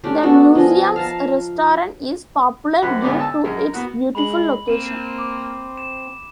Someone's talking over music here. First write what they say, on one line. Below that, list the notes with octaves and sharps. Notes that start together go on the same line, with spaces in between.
The museum's restaurant is popular due to its beautiful location.
A3 C#4 D4 G4
B3 D4 F#4 A4
F3 D#5 G#5
F5 A5 A#5
F#2 G4 C5 F#5 B5
D2 G#2 B3 C#4 D5
A5 E6
F#2 G#3 A#4
A#4
B3 F#4
G#3 B5 F#7
A#3 C4 D#7 E7
D6
E7